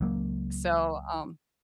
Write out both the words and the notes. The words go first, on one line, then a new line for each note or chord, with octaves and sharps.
So, um
C#2 F#3 A#3